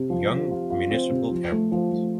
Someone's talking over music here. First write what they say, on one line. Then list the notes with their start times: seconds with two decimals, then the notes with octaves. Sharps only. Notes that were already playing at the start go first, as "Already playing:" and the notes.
Young Municipal Airport.
Already playing: C3
0.10 F3
0.30 F3
0.51 F4
0.70 F4
0.91 C4
1.11 C3
1.31 F3
1.52 A3
1.72 F3
1.92 A3